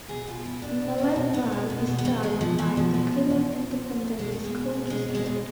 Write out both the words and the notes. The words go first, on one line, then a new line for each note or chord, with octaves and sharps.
Nolanville is served by the Killeen Independent School District.
B2 G#4
B2 F4
B2 E4
B2 D4
B2
B2 C4
B2
B2 B3
B2
B2
B2
B3
B2 A3
B2 G#3
B2 F3
B2 E3
B2 F3
B2
B2
B2
B2
B2
B2
B2
B2 G#3
A3
B2
G#3
B2
B2
B2 G#3
B2
G#3
B2